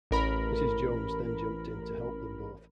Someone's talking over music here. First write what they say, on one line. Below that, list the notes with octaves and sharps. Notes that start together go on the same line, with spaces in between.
Mrs. Jones then jumped in to help them both.
A1 A#4 B5